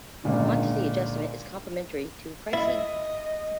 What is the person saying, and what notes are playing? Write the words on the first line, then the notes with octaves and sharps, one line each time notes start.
Quantity adjustment is complementary to pricing.
G#1 C#2 A#2 D3
E4 D#5